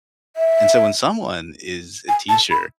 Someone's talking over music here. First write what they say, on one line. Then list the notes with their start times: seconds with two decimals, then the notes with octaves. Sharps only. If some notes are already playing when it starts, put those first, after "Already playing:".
and so, when someone is a teacher,
0.36 E5
2.09 G#5
2.29 A5
2.51 B5